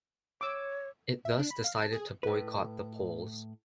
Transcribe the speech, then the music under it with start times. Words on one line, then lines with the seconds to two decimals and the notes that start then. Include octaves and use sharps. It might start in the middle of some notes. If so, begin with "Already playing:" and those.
It thus decided to boycott the polls.
0.41 C#5 D6 E6
1.25 E5
1.39 D4
1.51 B5
1.64 F5
1.78 A5
1.93 G#4
2.23 A2 B4